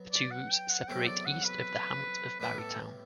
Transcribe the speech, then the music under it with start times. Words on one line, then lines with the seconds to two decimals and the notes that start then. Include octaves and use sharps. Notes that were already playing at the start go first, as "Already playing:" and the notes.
The two routes separate east of the hamlet of Barrytown.
Already playing: F#3 B3
0.12 D5
0.31 F#5
0.51 G5
0.70 F#5
0.88 E2 C3 F#3 A3 E4 G5
1.07 D5
1.26 F#5
1.45 B4
2.40 A2 G3 B3 E4 B4
2.59 A4